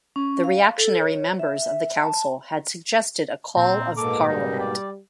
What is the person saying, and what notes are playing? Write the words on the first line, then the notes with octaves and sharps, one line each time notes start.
The reactionary members of the council had suggested a call of parliament.
C#4
F5
A4
C#5
E5
A5
A#2 C4 A#5
G#2 B2 A#3 A4 D6
G3 D#4
D5 G5